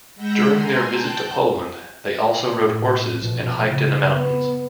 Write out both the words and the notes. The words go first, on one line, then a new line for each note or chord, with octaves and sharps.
During their visit to Poland, they also rode horses and hiked in the mountains.
G#3 F#5 B5 E6 G6 A#6
G#5 A#5 C6
G5 A5 F#6 G6
A2
A#1 B2
C#3
B3